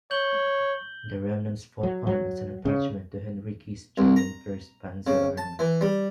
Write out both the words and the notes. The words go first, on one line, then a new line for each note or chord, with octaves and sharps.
The remnants fought on as an attachment to Heinrici's German First Panzer Army.
C#5 G6 F#7 G7
F#3
F#3
C#3
C2
A#5
C#3
A5
E3
G3